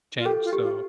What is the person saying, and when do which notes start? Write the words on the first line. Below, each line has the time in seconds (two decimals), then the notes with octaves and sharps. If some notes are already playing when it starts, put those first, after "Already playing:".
change, so,
0.18 F4
0.25 G4 A4
0.44 F4
0.53 G4
0.62 F4